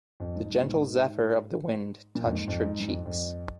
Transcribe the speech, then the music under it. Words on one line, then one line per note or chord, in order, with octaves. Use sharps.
The gentle zephyr of the wind touched her cheeks.
F2
G#2
G#2
A#2
G#2
A#2
F2
G#2
F2
G#2
G#2
F2
F2